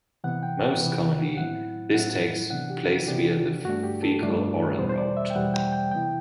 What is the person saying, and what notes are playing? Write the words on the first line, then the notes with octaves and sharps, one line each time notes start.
Most commonly, this takes place via the faecal-oral route.
C3 E3 B3 F#5
G5
F#5
C3 E3 B3
A2 F#3 C4 E4 F#5
A2 F#3 C4 E4 F#5
C3 E3 B3 D4 F#5
G4
F#4
C3 E3 B3 D4 G4
G2 D3 A3 D4 F#4
G4
A4
G2 D3 A3 D4
E2 B2 G3 B3 C5
C5
D5
E5
G5
E2 B2 G3 B3 F#5
G5
G5
C3 E3 B3 E4 G5